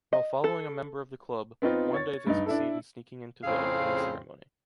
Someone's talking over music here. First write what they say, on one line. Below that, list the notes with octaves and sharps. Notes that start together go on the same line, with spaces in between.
While following a member of the club, one day they succeed in sneaking into the opening ceremony.
D#5
A4
B3 C4 D#4 F4
C#5 A6
G2 D#4
D4 E4 A4
F2 A2 C#3 C4 G#4 F5